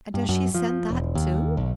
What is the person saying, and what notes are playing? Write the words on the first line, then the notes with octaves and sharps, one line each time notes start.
"And does she send that too?"
G2
F#2
F3
E1
D#2
B1